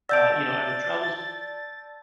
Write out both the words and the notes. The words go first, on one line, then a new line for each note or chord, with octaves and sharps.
uh, you know ever travels
D5 A5 E6 G6 A6 D7